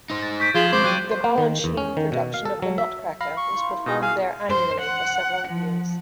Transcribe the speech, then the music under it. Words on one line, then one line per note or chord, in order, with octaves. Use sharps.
The Balanchine production of "The Nutcracker" was performed there annually for several years.
D#4 C5
A6
C#6 G6 B6 D7
F3 F4 G#4 G#6 E7 F#7
G#3 C4 C5 D6
F#3 G4 F#6 G6 D#7
C5
A#3
D#3
E2
C#4
D#3
B2
F5
A4
F#3
E5
F5 B5 A#6
C#6
F4 C5
E4 A#4
B2 D#4
G#4 F5 G#5
C5
F#5
F3